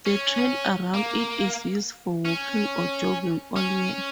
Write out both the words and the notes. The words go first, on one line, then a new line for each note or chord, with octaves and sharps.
The trail around it is used for walking or jogging all year.
C#4
A#3
C#4
C#4